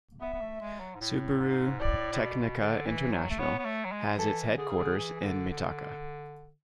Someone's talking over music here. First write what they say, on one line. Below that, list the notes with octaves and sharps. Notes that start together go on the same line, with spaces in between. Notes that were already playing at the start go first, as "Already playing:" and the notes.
Subaru Tecnica International has its headquarters in Mitaka.
B3 E5
B3
A3
G#3
F#3
G#2
A2
G#2
A2 D5
A2
B2
D3
E3
F#3
A3
B3 C#5
B3
A3
F#3
G#3
E3 A4
D3 G#4
C#3
D3
E3
E3
D3
D3